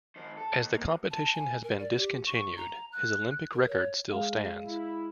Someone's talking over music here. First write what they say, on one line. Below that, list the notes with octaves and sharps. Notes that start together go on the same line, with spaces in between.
As the competition has been discontinued, his Olympic record still stands.
D#3 C5
A4
D#2
C3 A#3
A5
G#5
A#4
D5
G4
C#6
A#5
F#6
A#4
C#5
G#3 F5
E4